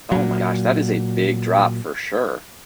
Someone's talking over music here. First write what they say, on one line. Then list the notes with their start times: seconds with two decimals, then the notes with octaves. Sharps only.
Oh my gosh, that is a big drop for sure!
0.12 A#2 F#3